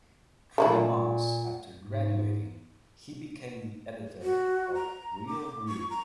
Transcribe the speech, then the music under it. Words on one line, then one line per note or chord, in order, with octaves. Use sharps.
Three months after graduating he became the editor of "Real Groove".
A#2 A3 A#3 E4
G#2
F#4
A#5
D6
C#6
A#5